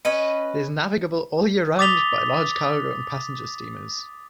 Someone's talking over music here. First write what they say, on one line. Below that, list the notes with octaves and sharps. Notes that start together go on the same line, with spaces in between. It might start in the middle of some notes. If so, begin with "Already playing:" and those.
It is navigable all year round by large cargo and passenger steamers.
C#4 B4 D#5
D6 D#6 A6 B6 F7 G7